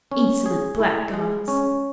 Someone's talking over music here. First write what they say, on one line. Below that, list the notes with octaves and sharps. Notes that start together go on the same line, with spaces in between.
"Insolent blackguards!"
C#4
G#4
E4
G#3
C#4